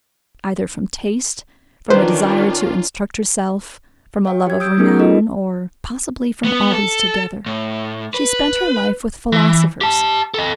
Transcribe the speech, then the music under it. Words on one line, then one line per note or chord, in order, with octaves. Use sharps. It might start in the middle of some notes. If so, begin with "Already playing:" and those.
Either from taste, from a desire to instruct herself, from a love of renown, or possibly from all these together, she spent her life with philosophers.
D#3 C#4 D4 F4 B4 C5
C#5 F5 G5
G4 G#6
D#6 E6 G6 D7
A3 B3 C#4 D#4 G#4 A#4
D#4 F4 G#4 A4 D#5
B3
A4
A2
B4
E3
G4 A5
A4 D#5